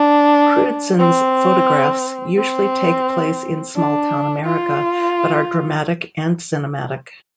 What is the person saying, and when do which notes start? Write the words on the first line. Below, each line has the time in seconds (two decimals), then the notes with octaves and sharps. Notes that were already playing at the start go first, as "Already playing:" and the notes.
Crewdson's photographs usually take place in small-town America, but are dramatic and cinematic.
Already playing: D4
0.99 C4
2.37 C4
3.76 D4
4.45 F4